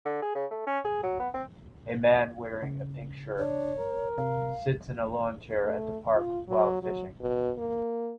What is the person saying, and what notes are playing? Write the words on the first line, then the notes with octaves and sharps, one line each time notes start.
A man wearing a pink shirt, sits in a lawn chair at the park while fishing.
D3
G#4
C#3
A3
C#4
G#4
F#3
B3
C4
C#3
D4 C#5
A#4
C3 F5
A3
F4
F#3
F#3
B2
A#3